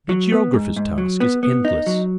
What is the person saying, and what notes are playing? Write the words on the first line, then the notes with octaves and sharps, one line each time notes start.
The Geographer's task is endless.
F#3
B3
G#2
G#2
F#3
B3
B3
D#4
F#3